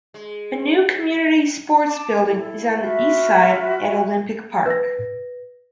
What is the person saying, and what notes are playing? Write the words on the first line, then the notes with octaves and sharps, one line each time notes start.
A new community sports building is on the east side at Olympic Park.
G#3
A5 D6
E4 A4
F4 F#4 E5 B5
B4 A#6